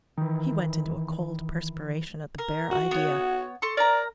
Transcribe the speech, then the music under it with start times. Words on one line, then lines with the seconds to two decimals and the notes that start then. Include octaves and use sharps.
He went into a cold perspiration at the bare idea.
0.17 D#3 E3
2.38 A#4
2.71 F#4
2.91 B3 C#5
3.62 A4 C6 C#6
3.77 A#4 D5 A#5